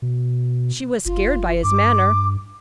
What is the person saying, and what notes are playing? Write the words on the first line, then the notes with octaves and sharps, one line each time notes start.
She was scared by his manner.
B2
F#1 F4
G2 D6